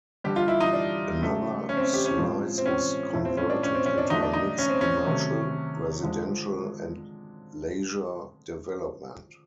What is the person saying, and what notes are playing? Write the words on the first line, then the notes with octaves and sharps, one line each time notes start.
Another slice was converted into a mixed commercial, residential and leisure development.
D3 G3 G4
F4
E4
D#4
D4
C#3 F#3 A3
C#4
C4
C#4
G4
C#4
A2 F3 G#3 C4
C4
C#4
A2 F3 A3
C4
C#4
D4
C#4
C4
C#4
D4
D3 F#3 A3 D#4
D4
D#4
C#4
C4
C#4
C3 D#3 F#3 A3
D3 F3 G#3